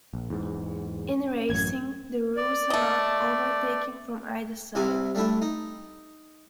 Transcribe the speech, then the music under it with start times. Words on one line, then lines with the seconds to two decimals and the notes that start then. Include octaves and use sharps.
In racing, the rules allow overtaking from either side.
0.14 A#1
0.30 E2 G#2
1.50 A1 F#2 G#6
2.37 D5
2.70 A3 D#5
4.75 C2 C3 E4 G#5 D6
5.15 G3 A3 D4 E4
5.42 D#4